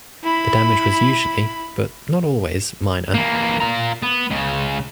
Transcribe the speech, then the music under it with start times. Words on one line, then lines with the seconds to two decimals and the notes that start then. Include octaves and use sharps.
The damage was usually, but not always, minor.
0.23 E4 B5
3.15 E3 A#3
3.61 F4 A#5
4.02 B3
4.31 C#2 C#3